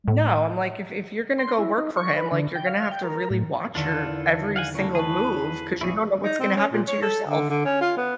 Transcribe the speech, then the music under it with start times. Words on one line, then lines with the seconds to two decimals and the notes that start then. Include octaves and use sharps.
No, I'm like, "If if you're gonna go work for him, like, you're gonna have to really watch your every single move 'cause you don't know what's gonna happen to yourself."
0.08 A2
1.38 C6
1.59 E4
1.78 D#4
1.97 C#6
2.17 B4
2.32 D3
2.55 G5
2.67 F5
2.91 G5
3.04 A#4
3.30 A2
3.75 E2 D3 D#3 D4 F4 A4
4.56 F5 F#5 G#5
4.75 C#3 A3 A#3 E4 C#5
4.95 G#4 B4 A5 C#6
5.81 A#1 E4 G#4 C#6 C#7
6.23 D#4
6.40 C4
6.56 C#4
6.72 A#2
6.87 C#5
7.02 A4
7.28 D3
7.50 D3
7.65 C#4
7.81 F4
7.97 B3